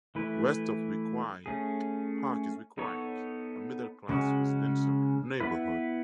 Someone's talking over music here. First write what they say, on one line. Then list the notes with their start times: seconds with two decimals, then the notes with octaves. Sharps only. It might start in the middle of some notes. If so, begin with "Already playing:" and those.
West of Weequahic Park is Weequahic, a middle-class residential neighborhood.
0.15 E3 A3 E4 B4
1.46 A3 C#4 G#4
2.78 B3 D#4 A4 C#5
4.09 C#3 G#3 C#4 F#4
5.40 B3 E4 B4